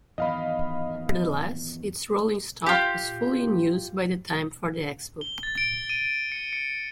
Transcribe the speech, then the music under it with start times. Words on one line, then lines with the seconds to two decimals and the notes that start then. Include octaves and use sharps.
Nevertheless, its rolling stock was fully in use by the time for the Expo.
0.18 E2 G#2 D#3 D#5 F5 B5
2.66 F4 G4
5.21 G7
5.43 A6
5.58 D7
5.89 D#7
6.32 C#7
6.53 C#7